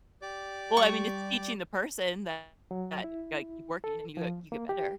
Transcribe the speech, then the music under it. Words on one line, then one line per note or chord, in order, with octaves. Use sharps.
Well, I mean, it's teaching the person that that ya gotta keep working and you, uh you get better.
G4 D5 D6
G3 C#6
F#3
E4
A4
F3
A#3
G4